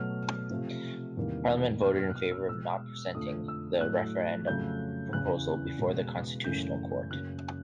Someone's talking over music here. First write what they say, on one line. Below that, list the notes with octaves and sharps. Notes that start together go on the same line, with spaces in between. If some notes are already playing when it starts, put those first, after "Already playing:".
Parliament voted in favour of not presenting the referendum proposal before the Constitutional Court.
Already playing: B2 F#3 A3 F6
C3 F3 A3
E2 C3 D#3 G3 A#3
B2 F#3 A#3 F6
F6
F#6
F6
E6
B2 G#3 E6
F2 D3 F3 A3 D#6
E6
A2 F#3 A3 F#6
F2 C#3 F#3 A3 G6
E2 C#3 E3 F#6
B2 G#3
F#2 C#3 E3 A3 G6
F#2 C#3 F#3 A#3 F#6